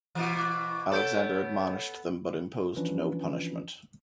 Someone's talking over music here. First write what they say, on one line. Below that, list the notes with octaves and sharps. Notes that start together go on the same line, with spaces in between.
Alexander admonished them but imposed no punishment.
B2 E3
D6 F#6
B3 A4 C#5 G6 D7
E3 F3 C#4 D4 F4 B4